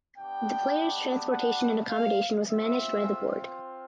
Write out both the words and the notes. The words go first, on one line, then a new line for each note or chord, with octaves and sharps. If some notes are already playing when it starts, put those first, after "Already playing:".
The players’ transportation and accommodation was managed by the board.
B3 D4 G4 G5
F#5
F5
C4 F4 E5